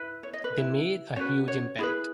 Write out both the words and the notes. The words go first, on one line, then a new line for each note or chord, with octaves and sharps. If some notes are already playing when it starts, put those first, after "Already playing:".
They made a huge impact.
Already playing: E4 B4
C#5
D#5
B4
E4 B4
C#4 F#4 B4 C#5
C#5
E4 G#4 B4